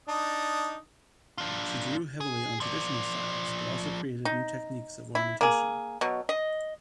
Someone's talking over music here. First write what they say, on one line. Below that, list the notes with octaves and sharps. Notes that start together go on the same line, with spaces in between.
She drew heavily on traditional styles, but also created new techniques of ornamentation.
D4 D#4 D#6
D4 F4
G#4
F3 D5
D#4
E4
A#3 G#4
B2 F#3
D#5